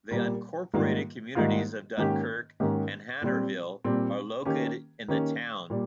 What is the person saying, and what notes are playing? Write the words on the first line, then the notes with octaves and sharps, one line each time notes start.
The unincorporated communities of Dunkirk and Hanerville are located in the town.
A#2 G3 A#3
G#2 D#3 G3 A#3 F4
G#2 D#3 G3 A#3 F4
G#2 D#3 A#3 C#4 G4
G#2 D#3 A#3 C#4 G4
A#2 G3 C4
A#2 G3 C4
D#3 A#3 C#4 G4
D#3 A#3 C#4 G4
A#2 G3